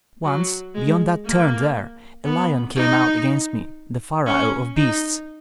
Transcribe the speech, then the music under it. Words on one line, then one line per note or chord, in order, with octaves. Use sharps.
Once, beyond that turn there, a lion came out against me, the pharaoh of beasts.
F#3
G#3
A#3
B3
D#4
C#4
D#4